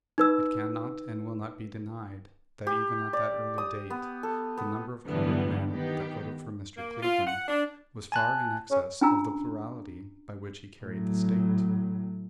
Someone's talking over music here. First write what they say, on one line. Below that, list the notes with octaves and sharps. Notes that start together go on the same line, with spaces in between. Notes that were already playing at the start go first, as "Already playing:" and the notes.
It cannot and will not be denied that even at that early date the number of colored men that voted for Mr. Cleveland was far in excess of the plurality by which he carried the State.
D#4 B4 E6
G4
D5
D#6
B3
A4
B3
G2 D3 E3 F#3 G3 B3
D#3 B3 G4
A#3
F4
F#5
D4
G#5 A5 F#6
C#4
C#4 D4 F4 G#5 A#5 E6
A2 F#3